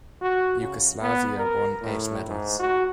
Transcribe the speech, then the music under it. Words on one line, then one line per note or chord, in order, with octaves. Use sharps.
Yugoslavia won eight medals.
F#4
C#3
B3
A#4
A2
G#2
F#4